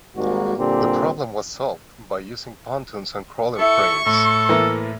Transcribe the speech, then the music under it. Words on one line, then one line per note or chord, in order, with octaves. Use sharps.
The problem was solved by using pontoons and crawler cranes.
G#1 G#2 G3 A#3 F#4
A#2 D3 G3 C4 G4
E4 A4 C#6
A2 A4
E3 A3 A#3